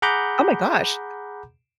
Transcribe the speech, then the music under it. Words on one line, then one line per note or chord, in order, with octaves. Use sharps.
Oh my gosh!
G#4 F#5 A#5 B5 D6 G6